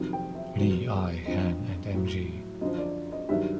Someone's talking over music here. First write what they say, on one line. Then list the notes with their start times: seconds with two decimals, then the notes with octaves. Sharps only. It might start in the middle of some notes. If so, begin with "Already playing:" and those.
Lee, I. Han, and M.-G.
Already playing: F2 C3 D#3 F#3
0.13 G5
0.35 E5
0.58 E2 B2 F#3
1.25 F2 D3 F3 D#5
1.94 A2 F#3
2.61 F#2 D3 F3 D#5
2.78 D5
3.12 D#5
3.29 G2 D#3 F#3 E5